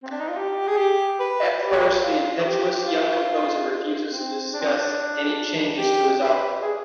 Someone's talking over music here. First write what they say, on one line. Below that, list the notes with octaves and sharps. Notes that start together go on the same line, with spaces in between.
At first, the impetuous young Composer refuses to discuss any changes to his opera.
C4
D4
D#4
F4
G4
G#4
G4
B4
G4
F4
G4
F4
C4
D4
C4
D4
G4
B4
G#4